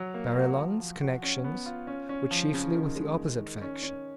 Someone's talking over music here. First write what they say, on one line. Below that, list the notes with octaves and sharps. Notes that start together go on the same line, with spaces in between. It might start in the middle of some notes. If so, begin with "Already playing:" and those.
Barillon's connections were chiefly with the opposite faction.
Already playing: F#3
A#3
F#4
F3
F3
F#4
C#4
B3
F4
C#4
C#4
F3
C#3
D#3
G#3
D#3
D#3
C#4
C#4